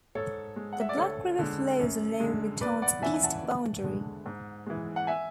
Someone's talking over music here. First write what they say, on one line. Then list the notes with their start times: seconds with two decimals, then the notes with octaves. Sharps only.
The Black River flows along the town's east boundary.
0.15 G#2 A4 C#5
0.56 G#3
0.73 F#5
0.81 E5
0.89 D5
0.97 D2 A4 C#5
1.39 D3 G#3
1.79 F#2
2.20 D3 G#3
2.61 E2 B4 D5
2.82 D5 F#5
3.02 C#3 E3 E5 G#5
3.14 G#5
3.23 F#5 A5
3.43 D2
3.84 D3 G#3
4.26 G#2
4.66 E3 G#3
4.96 F#5
5.07 E5 G#5